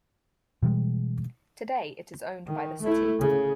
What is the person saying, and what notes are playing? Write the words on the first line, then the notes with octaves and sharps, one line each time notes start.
Today it is owned by the city.
B2 E3 G3 G#3
D#3
A3 E4
C#3